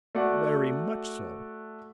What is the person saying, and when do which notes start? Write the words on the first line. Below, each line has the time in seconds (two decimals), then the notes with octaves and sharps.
"Very much so."
0.15 A3 F#4 D5 F#5